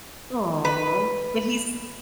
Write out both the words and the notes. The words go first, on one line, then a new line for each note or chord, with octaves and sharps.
Aw, but he's
B4